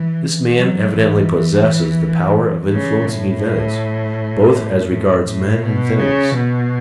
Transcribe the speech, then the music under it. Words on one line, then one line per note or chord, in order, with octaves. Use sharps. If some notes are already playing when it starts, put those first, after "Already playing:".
This man evidently possesses the power of influencing events, both as regards men and things.
Already playing: E3
F#3
E3
C#3
A2
A2
A2
B2
C#3
B2